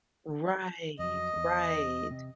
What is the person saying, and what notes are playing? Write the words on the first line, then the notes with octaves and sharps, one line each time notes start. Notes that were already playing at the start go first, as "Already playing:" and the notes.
Right, right,
F2 F#3 D#5
E2
C3